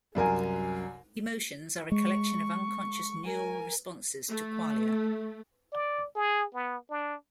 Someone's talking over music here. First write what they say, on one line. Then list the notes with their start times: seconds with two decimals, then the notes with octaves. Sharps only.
Emotions are a collection of unconscious neural responses to qualia.
0.15 C2 F#2 A#4 G#5
1.92 G#3 C#6
3.25 A#4 G#5
4.29 A3
5.73 D5
6.15 G#4
6.54 B3
6.90 D4